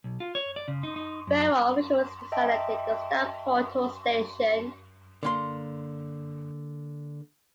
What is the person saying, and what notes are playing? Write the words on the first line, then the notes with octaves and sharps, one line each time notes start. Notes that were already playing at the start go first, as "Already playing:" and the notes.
Railroad officials designated the stop Hutto Station.
B1
F4
C#5
D5
C#3
D#4
D#4
F#2
D#5 E5 G5 A5
D3 A#3 C6